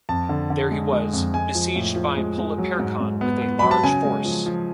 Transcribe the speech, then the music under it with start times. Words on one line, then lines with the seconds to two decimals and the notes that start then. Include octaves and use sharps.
There he was besieged by Polyperchon with a large force.
0.09 F2 A5
0.29 D3
0.50 D3
0.71 G#3
0.92 G#3
1.13 F2
1.34 G#3 G#5
1.55 F3
1.75 A2
1.96 F3
2.17 G#3
2.38 G#3
2.58 F#3
2.79 G#2
3.01 G#2
3.21 B3
3.42 B3
3.59 F#3 B5
3.71 A5
3.83 C#3 G#5
4.05 G#3
4.25 F3
4.46 F3